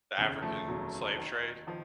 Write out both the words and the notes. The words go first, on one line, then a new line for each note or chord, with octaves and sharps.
the African slave trade,
F1 D#2 C#3
F3 A3
F1 D#2 C#3 F#3
D#2 D#3
D#3 F3